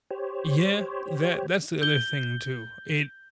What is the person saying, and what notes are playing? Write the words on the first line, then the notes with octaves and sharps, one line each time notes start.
Yeah, that that's the other thing too, it
G4 C5 C#5
G6 G7